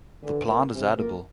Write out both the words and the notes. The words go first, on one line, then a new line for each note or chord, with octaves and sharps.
The plant is edible.
D3 E3
A#3 F4 A#4
C3 E3
A#3 F4 A#4